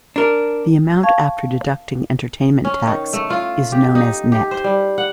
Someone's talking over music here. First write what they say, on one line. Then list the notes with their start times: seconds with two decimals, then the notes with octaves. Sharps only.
The amount after deducting entertainment tax is known as nett.
0.16 D4 A#4
1.03 F5 A5 C#6 G#6
2.65 C#4
2.87 D#3
3.13 A3
3.30 F4
3.72 G4
3.95 D#4
4.32 G4
4.51 C5
4.64 G3
4.98 F#5